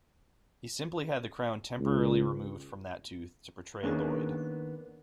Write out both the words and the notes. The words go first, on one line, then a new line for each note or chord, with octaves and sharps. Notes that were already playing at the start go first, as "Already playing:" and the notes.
He simply had the crown temporarily removed from that tooth to portray Lloyd.
C#2
D#3 A#3 B3 C#4 D4 G#4